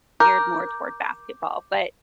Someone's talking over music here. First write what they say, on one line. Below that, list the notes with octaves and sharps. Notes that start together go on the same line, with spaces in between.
geared more toward basketball. But,
A#4 D6 G6